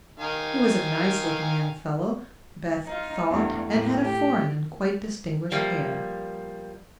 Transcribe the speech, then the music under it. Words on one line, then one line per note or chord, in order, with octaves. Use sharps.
He was a nice looking young fellow, Beth thought, and had a foreign and quite distinguished air.
D#3 F5 G#5
D#4 F4
E2 G2 A3
A2 A#3
G4
F3 G3 A#3